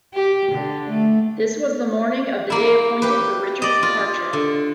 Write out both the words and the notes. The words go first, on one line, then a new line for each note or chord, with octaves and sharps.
This was the morning of the day appointed for Richard's departure.
G4
D3
A3
A#3 E4
G4 B4
D5 D#5
F4
D3